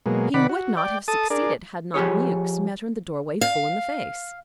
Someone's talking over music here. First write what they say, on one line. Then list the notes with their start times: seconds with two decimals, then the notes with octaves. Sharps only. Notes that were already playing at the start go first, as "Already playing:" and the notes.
He would not have succeeded had not Mewks met her in the doorway full in the face.
0.06 B2 F#3 G#3 A#3
0.34 C3 D#3 D5 F#5 B5
0.49 F#4
0.77 D5 G5
1.08 A4 A5 D#6
1.30 D4 G#4 A#4 D5
1.94 F3 G4 G#4 C#5
3.41 F5